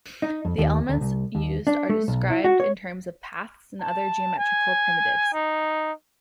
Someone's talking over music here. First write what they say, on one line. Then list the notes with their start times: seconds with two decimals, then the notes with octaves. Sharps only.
The elements used are described in terms of paths and other geometrical primitives.
0.22 D#4
0.45 F2
0.58 D#2
0.89 D2
1.01 C2
1.35 D#2
1.67 D4
1.90 A3
2.08 B1
2.30 E4
2.44 F#4
2.60 C#5
3.81 A5
4.38 G#5
5.33 D#4